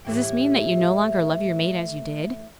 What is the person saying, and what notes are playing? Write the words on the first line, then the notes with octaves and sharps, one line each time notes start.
Does this mean that you no longer love your mate as you did?
A2 E3 G4